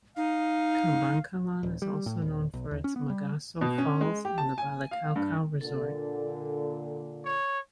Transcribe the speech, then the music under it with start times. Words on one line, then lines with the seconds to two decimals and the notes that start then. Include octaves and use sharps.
Kabankalan is also known for its "Mag-aso Falls" and the "Balicaocao Resort".
0.17 D#4 F5
1.63 D#1
1.82 G3
2.06 A2
2.22 D#1
2.53 B1
2.71 D#2
2.84 C#4
2.96 B3
3.10 G3
3.61 B2
3.78 C#4
4.01 G#3
4.25 G4
4.38 A5
4.58 G#5
4.91 F5
5.16 G2
5.61 A#2 D3 A4
7.25 C#5